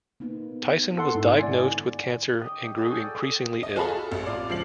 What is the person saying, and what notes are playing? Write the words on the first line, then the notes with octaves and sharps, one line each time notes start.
Tyson was diagnosed with cancer and grew increasingly ill.
A#3 B3 D#4
A4 F#5 C6
G#2 D4 E4
D3 D5 G#5
G4 D#5
F#4 G#4 A4 G5
D5
D#5
F4 F#4 G#4 A4 A5 B5
A4
A1
F4 D5
C#2 F3 C7 F#7